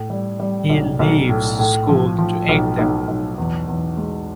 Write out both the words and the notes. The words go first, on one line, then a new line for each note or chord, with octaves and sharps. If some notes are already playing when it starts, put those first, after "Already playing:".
He leaves school to aid them.
Already playing: A2
G3
G3
B1
B1
A2
A2
F3
F3
B1
B1
B1
E2
E2
G#3